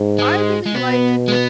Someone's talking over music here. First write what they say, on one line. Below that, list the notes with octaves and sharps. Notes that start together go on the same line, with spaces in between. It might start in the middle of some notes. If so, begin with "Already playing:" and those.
I really like,
Already playing: G#2
G#3
G#3
B2 B3
G#3
B3